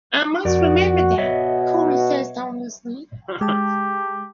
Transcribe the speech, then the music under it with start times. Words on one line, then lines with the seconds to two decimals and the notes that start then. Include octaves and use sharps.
"I must remember that", Corry says tonelessly.
0.45 F2 F#4 A#4 D5
1.18 B2 F#4 C#5 D#5 E5
3.41 G#3 G4 A5